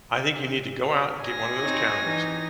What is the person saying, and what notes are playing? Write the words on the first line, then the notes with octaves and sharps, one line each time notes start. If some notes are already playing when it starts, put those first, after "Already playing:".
I think you need to go out and get one of those calendars,
G#5 A#6
C4 D#4 C#5
E3 D#4